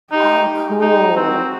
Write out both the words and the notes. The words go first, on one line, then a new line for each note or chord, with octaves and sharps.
Oh, cool.
D#4 G4
D#4 G4
C4 F#4